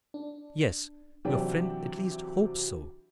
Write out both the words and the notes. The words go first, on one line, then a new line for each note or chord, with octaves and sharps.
"Yes--your friend at least hopes so."
D4
C3 E3 F#3 C4 D4 G4